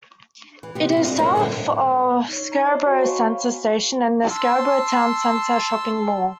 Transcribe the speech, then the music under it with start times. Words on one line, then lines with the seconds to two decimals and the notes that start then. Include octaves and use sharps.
It is south of Scarborough Centre station and the Scarborough Town Centre shopping mall.
0.63 E3
0.75 C3 B3 G4
0.92 C4 F4
1.05 C4 D4 A4 D#5
1.19 F#3 E4 A#4 C5 D#5 E5
1.35 A#2 D3 G3 B3 A5
2.29 D#4 C#5
2.52 C5 D#5 A5 A#5
2.66 C5 C#5 C7
2.86 F#4
3.01 F5 F#5 G#5 C6 C#6
3.16 F5 A#5 B5
4.31 A5 C6 E6